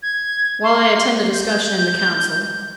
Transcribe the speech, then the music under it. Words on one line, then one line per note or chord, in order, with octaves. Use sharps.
While I attend the discussion in the Council....
G#6
C6
G6